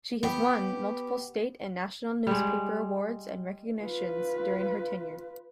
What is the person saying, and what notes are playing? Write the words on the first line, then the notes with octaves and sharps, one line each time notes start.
She has won multiple state and national newspaper awards and recognitions during her tenure.
B3 G4
G3 G#3
F4 B4